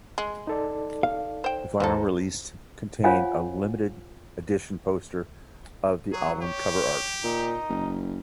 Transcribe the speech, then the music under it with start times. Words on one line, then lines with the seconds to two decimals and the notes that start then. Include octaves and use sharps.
The vinyl released contained a Limited Edition poster of the album cover art.
0.18 G#3
0.47 D#4 A4 D5
1.03 F5
1.44 C5 G5
1.80 D#2 E3 F#3 A4 C5 A#5
3.04 F4 C5 C#5 F5 F#5 G#5
6.13 F#3 G#4
6.42 G4 C#5
7.24 A#2 D#4
7.69 F#1